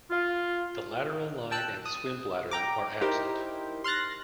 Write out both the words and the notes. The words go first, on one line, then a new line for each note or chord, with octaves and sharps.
The lateral line and swim bladder are absent.
F4
G5 A5 E6 F#6
D#6
G5 A#5 D6
D#4 E4 G4 A#4 C5
C6 F6 F#6 A6 A#6